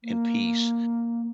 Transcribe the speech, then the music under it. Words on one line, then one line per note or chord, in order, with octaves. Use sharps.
and peace.
A#3